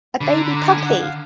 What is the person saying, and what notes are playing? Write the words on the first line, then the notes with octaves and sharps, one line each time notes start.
A baby puppy!
D3 B5
A#5
B5
A#5
G#5
F#5
F5